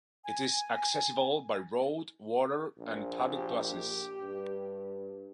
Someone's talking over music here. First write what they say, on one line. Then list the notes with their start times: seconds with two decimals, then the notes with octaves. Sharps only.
It is accessible by road, water, and public buses.
0.24 G#5
2.78 A#1
3.30 G4
4.21 G2